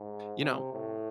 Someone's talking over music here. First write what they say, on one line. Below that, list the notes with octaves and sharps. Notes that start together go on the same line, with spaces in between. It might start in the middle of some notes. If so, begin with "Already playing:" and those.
you know,
Already playing: G#2
C3
A2